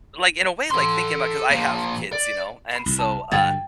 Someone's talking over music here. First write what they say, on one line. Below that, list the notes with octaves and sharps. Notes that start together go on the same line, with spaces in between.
l like, in a way like thinking about 'cause I have kids, you know, and so uh,
A4 C6
F3 A#3
D5
B5 C7
C2
A5
G2 D3 F#3 G5 G#6 A6